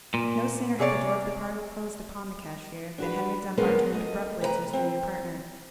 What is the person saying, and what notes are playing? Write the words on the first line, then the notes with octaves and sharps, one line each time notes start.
No sooner had the door of the parlour closed upon the cashier than Henry Dunbar turned abruptly to his junior partner.
A#2
C3 G#4 C#5 D5
D4 F#4 B4
D3 G#3 A#3 B3 C#4
A3 D#5
C3 B4 C5 A#5
C4